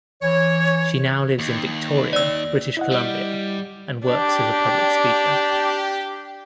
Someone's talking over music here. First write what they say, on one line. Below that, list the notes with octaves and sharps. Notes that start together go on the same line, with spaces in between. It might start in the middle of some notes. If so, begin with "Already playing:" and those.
She now lives in Victoria, British Columbia and works as a public speaker.
E3 C#5
D#2
D5 E6
E4 D#5 F#5
G3
D4 G4